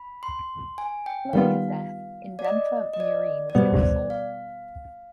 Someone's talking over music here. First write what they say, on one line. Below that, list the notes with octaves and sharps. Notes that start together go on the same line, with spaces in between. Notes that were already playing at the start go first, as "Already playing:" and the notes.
Following his death "Indenfor Murene" was cancelled.
Already playing: B5
C6
G#5
G5
D#3 G3 B3 F4 F5
D5
D#5
D#5
D5
D5
B2 G3 B3 C5
D5
F5